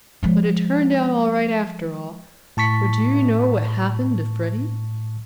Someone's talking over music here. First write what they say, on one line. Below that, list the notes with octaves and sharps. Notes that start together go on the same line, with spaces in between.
"But it turned out all right after all, for do you know what happened to Freddy?"
F3 G#3
A2 A5 C#6 B6 C#7